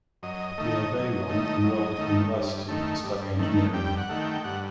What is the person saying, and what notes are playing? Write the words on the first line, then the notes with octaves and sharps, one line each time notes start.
Pierre Veyron enrolled at university to study engineering.
F#2 D#5
D#3 A3
F#2
D#3 A3
F#2
D#3 A3
G2
D#3 A3
G2
D#3 A3
G2 G5
F#5
D#3 A3
G5
G2 F#5